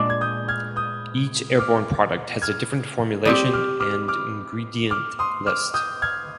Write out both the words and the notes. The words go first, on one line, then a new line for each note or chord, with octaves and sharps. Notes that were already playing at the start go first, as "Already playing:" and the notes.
Each Airborne product has a different formulation and ingredient list.
Already playing: A#2 G#3 D4
G#6
D#6 G6
F6 G#6
D#6 G6
D6 F6
F6 G#6
G3 C4 G4 D#6 G6
D6 F6
D6 F6
D6 F6
D6 F6
C6 D#6
D6 F6
D#6 G6
F6 G#6